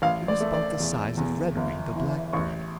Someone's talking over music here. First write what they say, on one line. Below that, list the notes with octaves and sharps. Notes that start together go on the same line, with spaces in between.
It was about the size of Redwing the Blackbird.
A1 F5
D5
A3
D5
E2
E2
G1
E3
A1 C#6